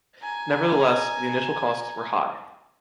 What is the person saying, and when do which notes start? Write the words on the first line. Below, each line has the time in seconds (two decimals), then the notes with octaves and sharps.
Neverthless, the initial costs were high.
0.23 G#5 A#5